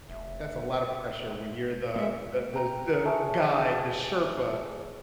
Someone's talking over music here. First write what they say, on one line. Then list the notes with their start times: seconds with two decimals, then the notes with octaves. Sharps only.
That's a lot of pressure when you're the the the the guy, the Sherpa
0.09 F1 E5
1.96 G#3 A#3 E5
2.53 G5 A#5
3.05 G#4 C#5 E5 A5